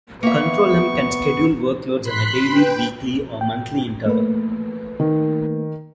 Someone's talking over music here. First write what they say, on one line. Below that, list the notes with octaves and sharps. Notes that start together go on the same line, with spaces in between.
Control-M can schedule workloads on a daily, weekly or monthly interval.
A#3 B3 E5 C#6
B5 C6 F#6 B6
B4 G5
G5
A3 A#3 B4
D#3